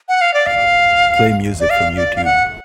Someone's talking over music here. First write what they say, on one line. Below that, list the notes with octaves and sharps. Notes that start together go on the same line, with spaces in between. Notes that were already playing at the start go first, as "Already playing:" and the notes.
Play music from Youtube.
F#5
F5
D5
F5
D5
F5
D5
F5
F#5